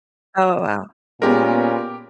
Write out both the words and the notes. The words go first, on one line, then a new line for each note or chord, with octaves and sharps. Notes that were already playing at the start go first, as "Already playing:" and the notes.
Oh, wow.
A#2 G#3 B3 C#4 G4 A#4